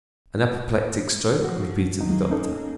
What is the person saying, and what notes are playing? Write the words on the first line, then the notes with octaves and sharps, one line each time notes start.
"An apoplectic stroke?" repeated the doctor.
F3 F#4
D#2 F#3 G#3 A#3 D#4
C#4 D#4 A4